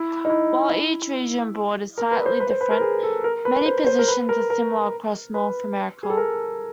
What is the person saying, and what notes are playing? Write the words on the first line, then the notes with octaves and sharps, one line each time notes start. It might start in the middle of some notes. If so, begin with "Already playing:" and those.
While each region's board is slightly different, many positions are similar across North America.
Already playing: E4
D#4
E4
A#4
B4
C5
B4
C5
B4
A#4
G#4
A4
A#4
B4
C5
C5
A#4
B4
A#4
A#4
B4
G#4
A4
A#4